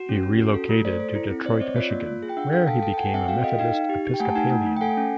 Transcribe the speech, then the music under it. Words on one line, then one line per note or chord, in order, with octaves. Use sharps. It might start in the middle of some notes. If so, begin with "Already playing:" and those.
He relocated to Detroit, Michigan where he became a Methodist Episcopalian.
Already playing: F#4
C#4
C#4
F#4
A4
A3
A4 C5 D5
A4
E4
C4
C4 C5 D5
C4 C#5 D#5
F4 D5 E5
A#3
F4
G#4
G5
D4 E5 F#5
A4 F5 G5
A4 G5 A5
A4 G5 A5
G5
A4 F#5 G#5
C4 E5 F#5
F#4 F5 G5
A4 D#5 F5
D#4 F5 G5
D#4
G4
G4
G5
A3 F#5 G#5
A5
D#4 F#5 G#5
A3
A3
G5
A4 F#5 G#5
C#4